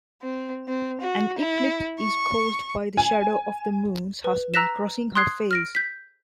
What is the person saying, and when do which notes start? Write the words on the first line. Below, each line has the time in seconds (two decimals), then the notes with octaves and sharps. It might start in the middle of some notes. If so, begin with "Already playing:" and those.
An eclipse is caused by the shadow of the moon's husband crossing her face.
0.22 C4
0.67 C4
1.01 F#4
1.38 E4
2.00 C#6
2.97 G#5
4.24 B4
4.54 A#5 E6 F#6 A#6 B6 E7
5.15 C6 D#6 F#6 G#6 C7
5.51 F6 A#6 D7
5.75 G6 B6